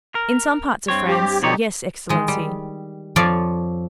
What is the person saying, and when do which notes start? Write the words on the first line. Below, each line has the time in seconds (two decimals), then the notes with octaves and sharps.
"In some parts of France--yes, excellency."
0.15 A#4
0.88 G2 C4 C#5
1.08 G4
1.43 B2 D3 F3 D#4 G4 C#5
2.09 D#3 G#3
2.28 G3
3.16 F2 F3 C#5 D5 F5